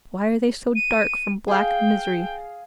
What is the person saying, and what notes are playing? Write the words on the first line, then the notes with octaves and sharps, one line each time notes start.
Why are they so dark from black misery?
D#7
G#4 F5 G5